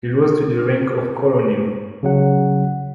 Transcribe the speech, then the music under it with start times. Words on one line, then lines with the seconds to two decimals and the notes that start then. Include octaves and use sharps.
He rose to the rank of Colonel.
2.03 C#3 F#3 F#5